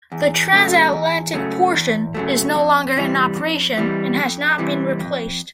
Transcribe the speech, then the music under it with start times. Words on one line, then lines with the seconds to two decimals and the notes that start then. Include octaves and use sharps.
The transatlantic portion is no longer in operation and has not been replaced.
0.12 E2
0.52 C#3 F#3 A3
0.92 E2
1.33 C#3 F#3 A3
1.74 E2
2.14 C#3 F#3 A3
2.55 F2
2.96 C3 E3 G3
3.37 F2
3.77 C3 E3 G3
4.17 F2
4.58 C3 E3 G3
4.99 F2